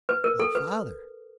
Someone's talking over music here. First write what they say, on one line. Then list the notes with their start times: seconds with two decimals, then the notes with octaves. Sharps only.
"My father!"
0.09 B4
0.24 A#4
0.40 A4
0.55 B4